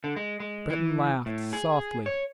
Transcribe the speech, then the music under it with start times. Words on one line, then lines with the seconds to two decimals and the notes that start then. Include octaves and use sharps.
Breton laughed softly.
0.04 D3
0.16 G#3
0.40 G#3
0.70 E3
1.26 A2
1.53 G#4
2.06 C#5